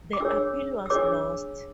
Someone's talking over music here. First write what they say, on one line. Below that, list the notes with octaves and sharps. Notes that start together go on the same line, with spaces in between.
The appeal was lost.
D6
D4 G#4 C#5 E6
E6
D4 G#4 C#5 D6